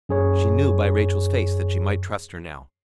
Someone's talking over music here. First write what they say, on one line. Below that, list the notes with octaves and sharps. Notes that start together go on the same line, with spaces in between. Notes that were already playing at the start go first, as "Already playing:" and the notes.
She knew by Rachael’s face that she might trust her now.
F#2 G#4 C#5